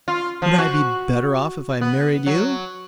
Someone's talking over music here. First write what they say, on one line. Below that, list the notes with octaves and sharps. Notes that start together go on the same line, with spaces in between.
"Would I be better off if I married you?"
F4
F3
F#4
B3
F#3